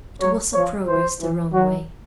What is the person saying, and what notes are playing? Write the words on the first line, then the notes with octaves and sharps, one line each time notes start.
It was a progress the wrong way.
F#3 C#5
F3 C#5
E3 C5
E3
F#3 F#4